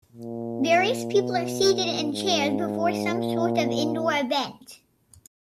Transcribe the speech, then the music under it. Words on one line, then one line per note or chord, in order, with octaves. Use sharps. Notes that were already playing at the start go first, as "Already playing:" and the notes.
Various people are seated in chairs before some sort of indoor event.
A#2
B2
A#2
G#2
A#2